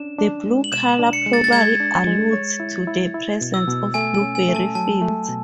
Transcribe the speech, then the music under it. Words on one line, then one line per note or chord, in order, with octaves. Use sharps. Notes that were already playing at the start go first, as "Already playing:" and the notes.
The blue color probably alludes to the presence of blueberry fields.
Already playing: C#4 D4 E7
D4
G#3
F#7
B2 E7
D4
C#7
G#3
A6
A6
G#3 G#6
D4
G#3
C#5
E4
E4
E4
B2
E6
B2
A3 G#5
G#5
C#4
G#5
A3
A5
F#3 A5
A3
B2